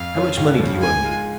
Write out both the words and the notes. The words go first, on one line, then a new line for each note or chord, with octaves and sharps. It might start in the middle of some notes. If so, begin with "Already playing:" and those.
"How much money do you owe me?"
Already playing: F2 F5
F3 C#4 F4 C#5
C#2
C#3 F3
G#2 G#5
G#3 F4